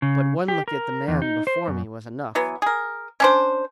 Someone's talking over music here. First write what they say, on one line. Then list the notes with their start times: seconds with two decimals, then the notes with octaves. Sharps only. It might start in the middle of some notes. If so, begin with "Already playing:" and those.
But one look at the man before me was enough.
0.02 C#3
0.48 G4
0.68 A#4
1.08 E2
1.22 D#4
1.47 C5
1.68 F#2
2.35 E3 F#3 B3
2.62 G#4 A#4
3.20 C#4 D4 C5